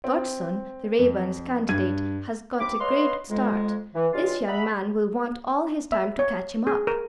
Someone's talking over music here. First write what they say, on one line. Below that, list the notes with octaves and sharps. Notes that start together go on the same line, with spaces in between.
Dodgson, the Raeburns' candidate, has got a great start; this young man will want all his time to catch him up.
C4
F2
G2 G#6 D#7
D#2 C3 C4 B5 D6
B4 C#5 D#5 F5 C6
F2 G#3
E3
G2 C#3 G#3 F4
D#5 E5 F#5 A#5 B5
E5
C#5
G#4
A#4